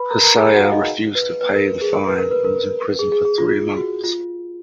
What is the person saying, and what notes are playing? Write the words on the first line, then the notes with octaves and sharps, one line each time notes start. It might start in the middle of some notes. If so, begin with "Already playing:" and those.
Hsieh refused to pay the fine and was imprisoned for three months.
Already playing: B4 B5
A#4 A#5
A#4 A#5
G#4 G#5
F#4 F#5
F5
D#4 D#5
B4
B4
A#4
A#4
G#4
A#4
B4
A#4
B4
A#4
G#4
G#4
G#4
F4
F#4
F4